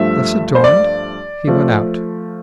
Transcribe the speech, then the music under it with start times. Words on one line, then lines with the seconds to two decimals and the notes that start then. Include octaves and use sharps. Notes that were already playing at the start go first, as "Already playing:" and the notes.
Thus adorned, he went out.
Already playing: G2 F3 A3 E5
0.55 C5
0.64 D5
1.47 F3 A3